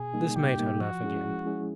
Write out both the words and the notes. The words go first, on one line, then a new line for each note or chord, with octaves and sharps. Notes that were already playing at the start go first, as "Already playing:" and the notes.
This made her laugh again.
Already playing: B2 G#4
G3 A#3 D#4
B2 G4
G3 A#3 D#4
F3 F#4
G#3 C#4 E4 G#4
F3
G#3 C#4 E4 G#4